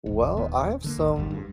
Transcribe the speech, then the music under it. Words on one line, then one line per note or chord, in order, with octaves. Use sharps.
Well, I have some
D#1 A1
D#1 D#3 B3
D3 G#3 A#3
G#1 D2
G#1 F2 D3 G3
G2